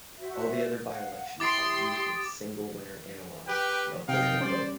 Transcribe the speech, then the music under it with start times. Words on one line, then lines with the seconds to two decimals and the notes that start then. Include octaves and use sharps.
All the other by-elections have used its single-winner analogue, the alternative vote.
0.19 F#4 C5 E5
0.85 F5 F#5
1.40 E4 G4 C6 D6 D#6 A6 D7
3.48 G4 B4 G5
4.09 C3 D#4 F5 G5
4.41 G3 C#4 C5 D5